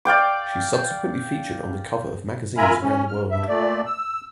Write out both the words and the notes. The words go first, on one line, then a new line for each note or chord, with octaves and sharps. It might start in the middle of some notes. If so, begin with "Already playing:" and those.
She subsequently featured on the cover of magazines around the world.
D5 F5 G5 D6
F4 A#4 E5 G#5 A#5 B5
C#4
F6
G2 E5
A#2 A3 D5
E6